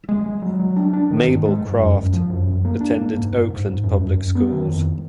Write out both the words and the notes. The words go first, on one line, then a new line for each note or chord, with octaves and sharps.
Mabel Craft attended Oakland public schools.
G#3
G#3
F#3
F#3
D4
D4
D#3
G#2
G#3
G#2
F#2
F#2
F3
F#2
F#2
A#3
D4
A#3
G#2
G#2
G#2
G#2
F#2
F#2
F#2
B3
D#3
F2